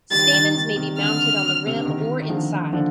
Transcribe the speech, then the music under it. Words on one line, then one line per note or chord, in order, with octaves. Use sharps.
Stamens may be mounted on the rim or inside.
D#3 G3 A6
D#3 G3
D#3 G3
C3 D#3
D3 F6
C3
D3
C3 D#3
D#3
D3 F3
D3 F3